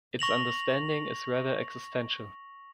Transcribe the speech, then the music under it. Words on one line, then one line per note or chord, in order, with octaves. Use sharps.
Its understanding is rather existential.
C#6 A#6 F7 F#7